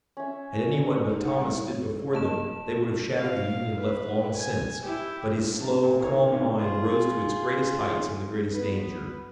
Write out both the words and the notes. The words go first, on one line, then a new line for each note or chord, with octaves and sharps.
Had anyone but Thomas stood before them they would have shattered the Union left long since, but his slow, calm mind rose to its greatest heights in the greatest danger.
C#4 E5
D#4
F#5
G3
E4
C#5
A4
A#3 A5 E7
F5
B4
G#5
E4 G4
G2
A5 A#5
A#2
A#2 A#3 D#4 C#5
D#3
A1 D3 C#4 F4
F4 G#4
B3 B4